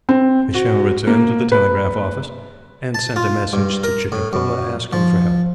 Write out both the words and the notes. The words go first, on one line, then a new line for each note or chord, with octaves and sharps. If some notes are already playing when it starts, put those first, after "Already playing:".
Michele returned to the Telegraph-Office, and sent a message to Chicacola asking for help.
C4
F#4
A#3
B4
A5
F4
G2
A#4
A2
F#2
F3